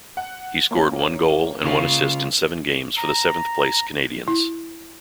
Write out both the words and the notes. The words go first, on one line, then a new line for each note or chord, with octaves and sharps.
He scored one goal and one assist in seven games for the seventh-place Canadians.
F#5
A#3 C#4
C#3 F4
A#5
E4